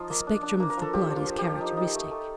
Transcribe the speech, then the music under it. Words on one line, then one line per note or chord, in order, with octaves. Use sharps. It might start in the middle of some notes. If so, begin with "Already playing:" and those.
The spectrum of the blood is characteristic.
Already playing: F3 D#4 F4
A#3
D4
D4
A#3
A#4
F3 A4
F3 G4
F3
F4
F3
G4
F3
D#4
D#4
A3
A3